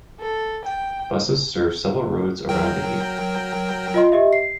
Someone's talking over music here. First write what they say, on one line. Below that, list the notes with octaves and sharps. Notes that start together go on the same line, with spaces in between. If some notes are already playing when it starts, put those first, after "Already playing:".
Buses serve several roads around the heath.
A4
G5
F#3 A#4 G5
F4 D#5 C6
G4 D#5 E5
C7